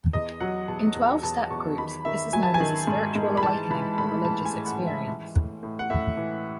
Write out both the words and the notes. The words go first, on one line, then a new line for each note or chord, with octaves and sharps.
In twelve-step groups, this is known as a spiritual awakening or religious experience.
E2 D#5
F#3 F#5
E2 A5
E2
E2 A5
E2 C#6
D#3 B5
D#3 E5
F#3 G#5
A5
G#5
D#3
G#2
G#2
B5
E3 A5
E3 B5
A2 B5
E3 A5
G#5
A2
F#5
E3
E5
E3
A2
A2
F#5
A2 E5
E3